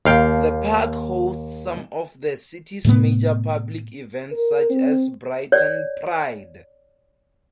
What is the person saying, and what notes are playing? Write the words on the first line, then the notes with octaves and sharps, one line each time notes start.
The park hosts some of the city's major public events such as Brighton Pride.
D#2 F5 G5
A2 C3 A3 B3
A#4
C4
C#5 D5